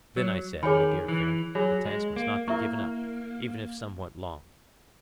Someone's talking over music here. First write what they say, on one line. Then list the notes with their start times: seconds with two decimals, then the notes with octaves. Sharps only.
Then, I said, my dear friend, the task must not be given up, even if somewhat long.
0.17 F#3
0.63 D#3 G#4 C#5 G#5 B5
1.08 E3
1.55 F#3 G#4 C#5 G#5 B5
1.85 G#3
2.16 A#3
2.48 A#3 E4 A#4 E5 A#5 C#6